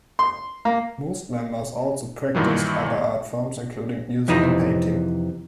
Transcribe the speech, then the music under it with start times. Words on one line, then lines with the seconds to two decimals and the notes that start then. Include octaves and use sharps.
Most members also practiced other art forms including music and painting.
0.19 C6
0.65 A#3
2.35 G2 A#2 D#3 E3 F#3
4.28 F2 C3 E3 D#4